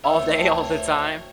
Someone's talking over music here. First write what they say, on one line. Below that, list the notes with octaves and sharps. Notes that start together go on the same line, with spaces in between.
all day, all the time?
D2 C5 C#5 E5
G5 A5